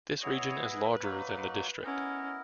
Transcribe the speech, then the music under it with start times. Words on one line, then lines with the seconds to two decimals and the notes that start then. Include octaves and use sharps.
This region is larger than the district.
0.21 B3 E4 G#4 C#5 D#5
0.62 B4
1.03 F#3 A#3 D#4 F#4
1.84 B3 C#4 E4 A#4 D#5